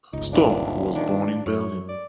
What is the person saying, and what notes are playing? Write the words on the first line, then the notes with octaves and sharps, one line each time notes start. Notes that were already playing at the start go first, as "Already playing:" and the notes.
Storck was born in Berlin.
G1 C#2 D#4
D#1 D4
D#3 D4
F#2 C#5
D5